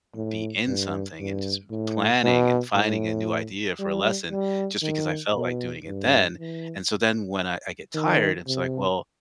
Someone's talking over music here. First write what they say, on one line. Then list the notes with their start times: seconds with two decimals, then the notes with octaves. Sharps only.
be in something, and just planning and finding a new idea for a lesson just because I felt like doing it then. And so then when I I get tired, it's like, "Well,
0.15 A2
0.67 G2
1.20 G2
1.71 A2
2.24 B2
2.75 A2
3.79 G3
4.31 G3
4.83 D#3
5.36 B2
5.87 G2
6.39 E3
7.94 D#3
8.47 C3